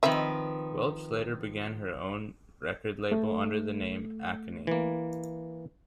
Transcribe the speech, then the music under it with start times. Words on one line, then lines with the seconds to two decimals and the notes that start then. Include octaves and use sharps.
Welch later began her own record label under the name Acony.
0.03 D#3 F3 C4 B4 E5
3.12 A3
4.67 E3 A#3